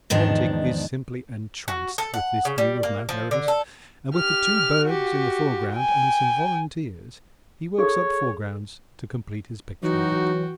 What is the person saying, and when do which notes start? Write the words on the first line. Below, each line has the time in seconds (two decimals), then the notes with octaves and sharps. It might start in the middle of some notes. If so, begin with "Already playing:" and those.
Ponting is simply entranced with this view of Mt. Erebus, and with the two bergs in the foreground and some volunteers he works up foregrounds to complete his picture of it.
0.10 E2 G#2 D#3 F3 D4
1.68 F#4
1.98 A4
2.14 F#5
2.45 C#3
2.58 G3
2.83 A#3
3.09 F3
3.31 D3
3.48 A4
4.14 G4 F6
4.85 F#4 G4
5.73 G5 G#5
7.79 G#4 A4 C#5
9.83 E3 F#3 D#4 F#4 G5